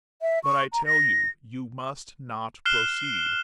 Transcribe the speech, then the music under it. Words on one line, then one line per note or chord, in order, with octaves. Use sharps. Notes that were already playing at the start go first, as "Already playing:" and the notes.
"But I tell you, you must not proceed."
E5
C#6
A#5
A#6
F6 F#6 C7 E7 G7